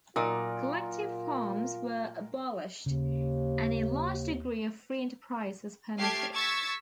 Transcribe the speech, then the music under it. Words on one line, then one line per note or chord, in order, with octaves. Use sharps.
Collective farms were abolished, and a large degree of free enterprise was permitted.
A#2 F#3 D#4 F4 A#4 D5
D#2 C#3
A3 G4 A5 F6 G#6 C7
C#6 E6 G#6 A6 B6